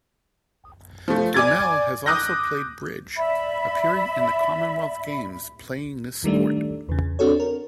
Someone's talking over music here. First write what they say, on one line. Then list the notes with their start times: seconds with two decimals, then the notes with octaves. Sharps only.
De Mel has also played bridge, appearing in the Commonwealth Games playing this sport.
1.08 F3 A3
1.34 D5 G#5 D6 G#6 A6
2.06 D6 D#6 F#6 G6 A#6
3.17 D5 E5 B5
6.24 D#3 G3 A3 D4
6.89 E2 C#3
7.19 C4 D4 F#4 A4 C#5
7.40 A#4